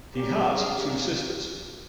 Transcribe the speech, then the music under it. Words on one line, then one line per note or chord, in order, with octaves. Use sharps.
He has two sisters.
C#4 F4 G4 A#4 D5 F5
G#4
G4